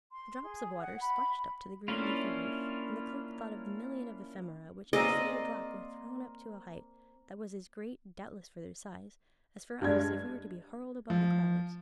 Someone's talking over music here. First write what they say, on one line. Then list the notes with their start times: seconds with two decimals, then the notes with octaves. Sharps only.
The drops of water splashed up to the green leafy roof, and the clerk thought of the million of ephemera which in a single drop were thrown up to a height, that was as great doubtless for their size, as for us if we were to be hurled above the clouds.
0.12 C6
0.43 G#4
0.81 F#5
1.01 B5
1.88 A#3 C#4 D4 E4 F4
4.93 A#3 C4 G#4 D5 D#5
9.82 G2 G#3 D4 G#6
11.10 F3